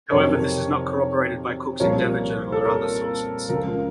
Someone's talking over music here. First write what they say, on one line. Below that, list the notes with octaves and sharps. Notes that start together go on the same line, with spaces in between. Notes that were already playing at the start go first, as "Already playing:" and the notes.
However this is not corroborated by Cook's "Endeavour" journal or other sources.
F2 C3 D#3 F#3 A#4 C#5
C2 A#2 F3 A#4 C#5
A4
A#4
C#2 C#3 F3 A#4